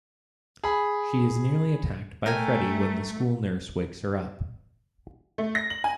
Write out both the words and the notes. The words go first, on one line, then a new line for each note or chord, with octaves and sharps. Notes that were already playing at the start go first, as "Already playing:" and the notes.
She is nearly attacked by Freddy when the school nurse wakes her up.
G#4 B5
A3 A#4 G5 G#5
A3
A#6
F#7
G#5